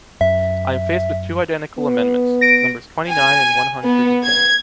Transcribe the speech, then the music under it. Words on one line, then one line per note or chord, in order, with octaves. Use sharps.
I am faced with two identical amendments, numbers twenty-nine and one hundred and ten.
F#2 E5
B3
A#6 D7
G#5
B3
G#6